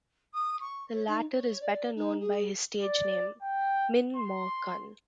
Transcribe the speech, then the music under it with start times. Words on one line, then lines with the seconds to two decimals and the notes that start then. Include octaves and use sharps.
The latter is better known by his stage name Min Maw Kun.
0.33 D#6
0.60 C#6
0.94 C#5
1.07 D#4
1.31 C#5
1.60 D5
1.95 D#4
2.20 G#4
2.81 D5
3.43 G5
4.17 C6